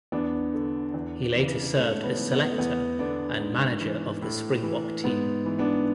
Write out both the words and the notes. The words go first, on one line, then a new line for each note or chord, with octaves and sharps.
He later served as selector and manager of the Springbok team.
E2 B3 D4
D3
E2
C#3 E3
G#2 A3 C#4
B3
E3
B3
A3
E2 B3
D3 B3 D4
G#2
E3
A2
E3
G#2 B3
E3
B3 D4